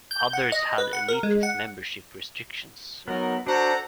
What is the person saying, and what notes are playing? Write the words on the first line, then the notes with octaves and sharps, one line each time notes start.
Others had elitist membership restrictions.
G6
F#5
D#5
B4
F#5
A#4
G#3
F#5
F#3 B3 D#4 A#4
D4 F#4 A4 C5 F#5 A#5